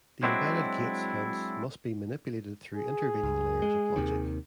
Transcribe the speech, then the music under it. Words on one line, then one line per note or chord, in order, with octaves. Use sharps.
The embedded gates, hence, must be manipulated through intervening layers of logic.
F#3 G#3 C4 D4 E4 F#4
G#4
C#2
G#3
D#2 C3 D#3